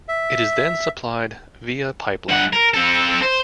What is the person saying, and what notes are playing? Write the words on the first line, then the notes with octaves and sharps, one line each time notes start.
It is then supplied via pipeline.
E5
G2 F#5
A#4
C4 A4
C5